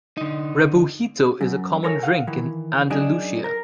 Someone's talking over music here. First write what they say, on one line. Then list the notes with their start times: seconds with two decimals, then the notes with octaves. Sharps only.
Rebujito is a common drink in Andalusia.
0.17 D3 D#4
1.41 F#2
1.84 A4 A#4 C#5 G#5
2.03 F5 F#5
2.27 D#3 E3
2.90 F#2 D4 D#4 G#4
3.44 A#4